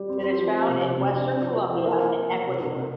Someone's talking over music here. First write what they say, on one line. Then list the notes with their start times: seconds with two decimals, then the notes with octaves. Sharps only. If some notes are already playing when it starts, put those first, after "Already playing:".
It is found in western Colombia and Ecuador.
Already playing: G3 G4
0.09 C4
0.24 C4
0.38 F3
0.53 C4
0.68 C3
0.83 C3
0.98 C3
1.12 D4
1.27 D4
1.42 F3
1.56 F3
1.72 F3
1.77 C5
1.86 A#3 A#4
2.02 A#3
2.17 F3
2.32 A#3
2.47 C3
2.61 C3
2.76 C3